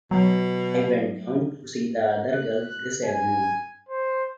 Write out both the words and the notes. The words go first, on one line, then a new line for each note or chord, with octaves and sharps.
I went down to see the other girls this evening.
B2 F#3
F#6
G#5
C5